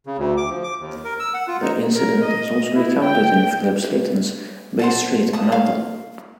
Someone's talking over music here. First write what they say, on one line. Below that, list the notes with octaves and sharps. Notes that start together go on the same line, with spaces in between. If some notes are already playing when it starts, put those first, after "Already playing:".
The incident is also recounted in Philip Slayton's "Bay Street: A Novel".
C#3
D2
D6
F3
D6
D#2
A#4
E6
F#5
F4
D#4
A#4
D#5
E4
G5
C5 F#5 A5
A5 D#6
F5